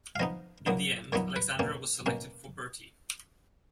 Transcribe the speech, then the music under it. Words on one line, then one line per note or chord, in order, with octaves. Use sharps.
In the end, Alexandra was selected for Bertie.
F5
F3 B3 D#4 D#5
A#2 F#3 B3 D#4
A#2 F#3 B3 D#4 C#5
B4
B2 A#3 C#4
B2 A#3 C#4